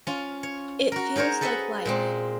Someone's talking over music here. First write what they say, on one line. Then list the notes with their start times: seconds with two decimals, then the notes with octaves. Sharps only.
It feels like life.
0.07 C#4 F4
0.43 C#5
0.92 F#4 A#4
1.16 D#4 G#4 A#4 C5 C#5
1.41 G#4 A4 B4 D#5 E5 F#5
1.85 A#2 G#3 C4